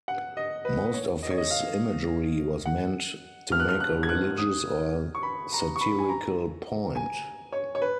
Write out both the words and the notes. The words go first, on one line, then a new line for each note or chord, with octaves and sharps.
Most of his imagery was meant to make a religious or satirical point.
F#5
D#5
B4
B4
C#5
D#5
C#5
D#5
F5
F#5
F6
F#6
F6
F#6
G#6
F#6
D#6
C#6
B5
A#5
C#6
B5
G#5
A#5
G#5
C#5
C#5
B4